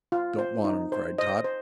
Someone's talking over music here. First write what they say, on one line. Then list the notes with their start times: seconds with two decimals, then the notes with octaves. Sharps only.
"Don't want 'em!" cried Tot.
0.12 F4
0.38 C5
0.65 D#4
0.92 C5
1.18 C5 D#5
1.44 C5